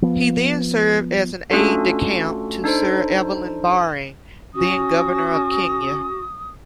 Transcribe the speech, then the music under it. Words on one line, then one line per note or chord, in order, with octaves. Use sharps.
He then served as an "aide-de-camp" to Sir Evelyn Baring, then Governor of Kenya.
F3 B3
A3 C#4 D4 F4 F#4 A4
D4 D#4 A4 C5
C#4 F#4 D#6